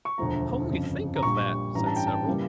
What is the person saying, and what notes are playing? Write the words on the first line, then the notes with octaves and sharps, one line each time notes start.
"Only think of that!" said several.
C#6
E1 D2 D3 F3 A3 A#5
G1 F2 C#3
A#5
A#1 A#2 G3 C#6
A1 G2 E3 G3 A#5
A5
G5
A5
C#3 E3 G3 A#3